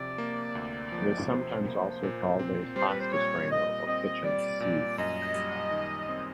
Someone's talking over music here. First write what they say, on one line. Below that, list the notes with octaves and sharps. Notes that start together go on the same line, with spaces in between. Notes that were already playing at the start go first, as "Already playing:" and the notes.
It is sometimes also called a pasta strainer or kitchen sieve.
Already playing: D2 C3 F3 D5
A#3
D2
F3
C3 C5
A#3
A#2
C4
G3 C5
B4
C5
A#2 C#5
A#2 D#5
C4 D#5
G3 D5
A#2 D5
F#2 D#5
G3
D#3
C4